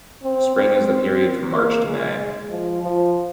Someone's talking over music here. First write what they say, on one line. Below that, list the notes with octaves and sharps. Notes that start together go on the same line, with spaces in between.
Spring is the period from March to May.
C4
C4
C4
A#3
G#3
F3
F3